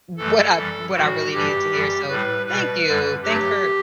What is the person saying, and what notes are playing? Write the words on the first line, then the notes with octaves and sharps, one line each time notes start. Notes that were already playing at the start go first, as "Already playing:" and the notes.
w what I what I really needed to hear. So, thank you. Thanks for
F#2 E3 A3 A4
F#2 E3 G3
A2 E3 G3 F#4
G2 E3 G3 G4
F#2 E3 G3
A2 G3 B4
B2 G3 B4
F#2 D3 G3
G2 F#3 A3 G4